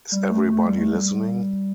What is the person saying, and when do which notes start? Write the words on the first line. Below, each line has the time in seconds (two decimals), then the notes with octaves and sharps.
Is Everybody Listening?
0.12 G3
0.30 A3
0.49 A3
0.66 G3
0.79 A3
0.91 G3